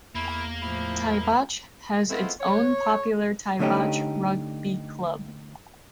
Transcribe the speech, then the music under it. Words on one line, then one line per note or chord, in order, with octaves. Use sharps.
Taibach has its own popular Taibach Rugby Club.
E2 A#3 E4
A2 F3 E4
G#3 A3 B3 C4 E4 F4
C#5
D3 A3 C#4 D#4 G4